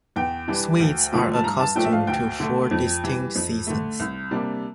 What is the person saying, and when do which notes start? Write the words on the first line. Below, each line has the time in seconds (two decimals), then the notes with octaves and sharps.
Swedes are accustomed to four distinct seasons.
0.16 E2 G5
0.48 E3 G3 D4
0.79 D2
1.12 D3 F3 A3
1.34 A5
1.43 G2 A#5
1.60 A5
1.75 F3 A3 D4 G5
1.85 E5
1.92 F5
2.07 D2 G5
2.40 D3 A3
2.71 F2
3.04 E3 G3
3.35 F2
3.67 D3 A3
3.99 C2
4.31 C3 G3 A#3 D4